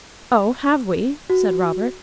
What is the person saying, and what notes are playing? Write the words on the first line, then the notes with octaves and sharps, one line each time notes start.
'Oh, have we?' said Robert.
F#4